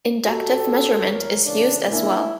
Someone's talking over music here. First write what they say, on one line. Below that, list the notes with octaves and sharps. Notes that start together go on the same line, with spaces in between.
Inductive measurement is used as well.
A#2 F#4 G4 A4 A#5
E2 A#4 C#5
A#2 C#3 E3 D4
A#3 D4 E4 G#5